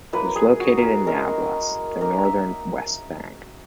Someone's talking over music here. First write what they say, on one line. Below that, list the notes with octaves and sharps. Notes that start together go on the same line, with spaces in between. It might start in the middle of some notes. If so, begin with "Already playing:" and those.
It is located in Nablus, in the northern West Bank.
F#3 A#3 E4 B4
G#4
F#4
G#4 A#4
G#3 C#4 E4 A#4
A#3 D#4 A#4
E5